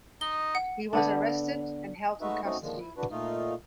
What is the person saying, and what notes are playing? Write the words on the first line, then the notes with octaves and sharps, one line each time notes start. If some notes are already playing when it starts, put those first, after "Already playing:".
He was arrested and held in custody.
D#4 D#5 G7
F#5
D3 B3 D4
G#3 A3 D#4 F#4 B4 E5
A3 C4 C#4 D#4 F#4
A#2 D3 D#3 F3 G#3
E4
E3 D4 F#4 B4
A#2 A3 D#4 F4